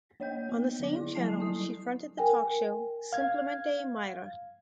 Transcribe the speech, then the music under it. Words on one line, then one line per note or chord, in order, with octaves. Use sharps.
On the same channel she fronted the talk show "Simplemente Mayra".
A#3 C#5 D#5 G5 G6
B3
D3 D5 D6
E4
F#3 G3 A4 G#5 A5 C7
F#3 E4 D#6
A#4 G5 G#5
F5 G#6